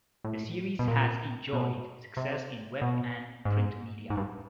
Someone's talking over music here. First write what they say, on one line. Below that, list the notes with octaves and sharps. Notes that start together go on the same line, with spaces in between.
The series has enjoyed success in web and print media.
A2
B2
A#2
B2
C3
B2
G#2
G#2
G2